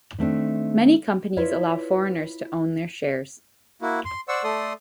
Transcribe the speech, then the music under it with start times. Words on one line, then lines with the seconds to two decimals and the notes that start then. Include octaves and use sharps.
Many companies allow foreigners to own their shares.
0.18 D#3 A3 C4 D4
1.37 E4 F4 B4 C#5 D5
3.82 A#3 E4 F#4
4.05 C6
4.28 C5 D5 F#5 C#6 E6
4.44 A3 A4 D5 C6 D#6